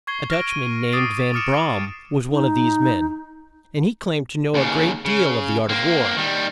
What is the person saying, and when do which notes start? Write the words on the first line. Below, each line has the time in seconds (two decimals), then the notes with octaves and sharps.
A Dutch-man, named Van-Bra-am, was one of these men, and he claimed to know a great deal of the art of war.
0.07 C#6 G#6 C7 G7
0.30 F6 A#6 D7
0.50 D#7
0.92 D6 D#6 A6 C7 D7
1.34 D6 D#6 F6 C#7 D7 E7
1.54 D6
2.30 D#4
4.54 D#2 C#3
5.05 C#3
5.69 A#3 C4
6.16 D#3 G3